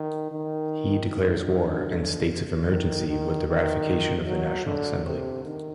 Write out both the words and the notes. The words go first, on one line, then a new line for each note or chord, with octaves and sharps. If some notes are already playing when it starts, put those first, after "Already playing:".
He declares war and states of emergency with the ratification of the National Assembly.
Already playing: D#3
D#3
D3
D#3
D#3
D#3
F#3
D3
C3
D#3